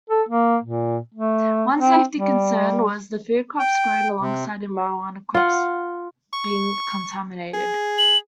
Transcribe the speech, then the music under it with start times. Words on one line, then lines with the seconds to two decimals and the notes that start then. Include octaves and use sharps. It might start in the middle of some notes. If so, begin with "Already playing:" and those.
One safety concern was the food crops grown alongside the marijuana crops being contaminated.
0.10 A4
0.29 A#3
0.64 A#2
1.15 A3
1.79 C4
2.15 G3
3.59 G5
4.21 C3
5.34 F4 F#5
6.33 C#6
7.54 G#4
7.98 F#7